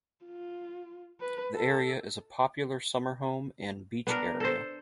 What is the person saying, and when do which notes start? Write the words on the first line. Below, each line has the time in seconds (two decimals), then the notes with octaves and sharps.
The area is a popular summer home and beach area.
0.24 F4
1.21 B4
1.54 A4
4.07 B3 D4 A#4
4.40 A4 C5